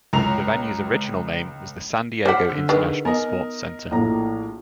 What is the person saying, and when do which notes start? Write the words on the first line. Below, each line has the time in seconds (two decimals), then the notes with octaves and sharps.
The venue's original name was the San Diego International Sports Center.
0.13 C#2 A#5 F7
2.26 C5 F#5 D6 F6 B6
2.49 D3
2.69 D#3 G#4 B4
3.05 B3 A#4 D#5
3.91 A#1 A2 A#5